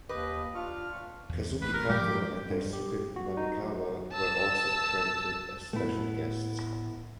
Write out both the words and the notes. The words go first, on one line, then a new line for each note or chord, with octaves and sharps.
Kazuki Kato and Daisuke Namikawa were also credited as special guests.
D#2 G4 B4 D#5
D4 F4 C#6 F6
E2
A1 B4
A#4
G#2 F3 G#3 G4
G2
G4
F#4
D#4
F#3
A5 E6
A2 A3 B3 E4